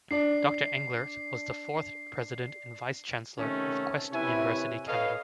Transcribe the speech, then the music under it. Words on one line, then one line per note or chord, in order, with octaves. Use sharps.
Doctor Englert was the fourth president and vice-chancellor of Quest University Canada.
D4 D5 C7
C3 D#3 A3 C#4
C3 E4 B4 C#5 E5 G#5
A4 B4 C#5 D#5 F5